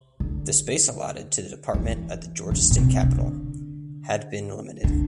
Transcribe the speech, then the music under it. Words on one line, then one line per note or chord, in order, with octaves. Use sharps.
The space allotted to the department at the Georgia State Capitol had been limited.
D3
E3
D3
A#2
C3
D3
D3